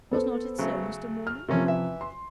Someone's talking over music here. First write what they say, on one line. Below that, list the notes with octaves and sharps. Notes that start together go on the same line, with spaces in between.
Was not it so, Mr. Morland?
B3 A4 C5
C#3 F#3 A3
F6
C3 F3 A3 A#3 C#4
E3 E5
C6